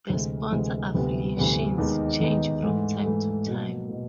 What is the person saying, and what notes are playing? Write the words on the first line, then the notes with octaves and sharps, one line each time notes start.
The sponsor affiliations change from time to time.
D2 C3 E3 G#3
D2 C3 E3 G#3
D2 C3 E3 G3 B3
D2 C3 E3 G3 B3
D#2 D#3 G#3 B3 D#4
D#2 D#3 G#3 B3 D#4
G#2 E3 A3
G#2 E3 A3
B2 F#3 A#3
B2 F#3 A#3